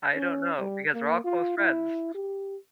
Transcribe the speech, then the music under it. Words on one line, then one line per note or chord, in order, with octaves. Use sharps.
I don't know, because we're all close friends.
C#4
G3
A#3
F4
E4
G4